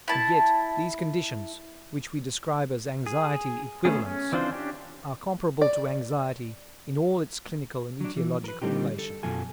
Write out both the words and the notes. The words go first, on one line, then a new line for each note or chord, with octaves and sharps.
And yet these conditions, which we describe as "anxiety equivalents," are comparable to anxiety in all its clinical and etiological relations.
E4 A5
G#4
A3 B3 C#4 G#4
C#4
E3 C4 D4 F4 C5
C#4 D4 G4
D5
F#3 D4
E3
A#4 B4
D3 G3 C4 D#4 G4
A4
F#2 B2 F4 A4 G#5